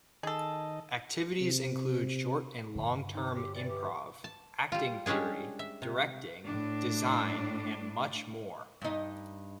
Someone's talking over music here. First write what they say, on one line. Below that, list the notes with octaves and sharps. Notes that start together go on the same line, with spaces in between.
Activities include short and long term improv, acting theory, directing, design, and much more.
D#3 G#4 A4 D#5
C3
G2 D3
C4 C#4 D#4
G4
E3 D5
G4
A5
G3 F4
G3 G#3 C#4 D4 G#4
E5
C3
A2 D4
G2 D#4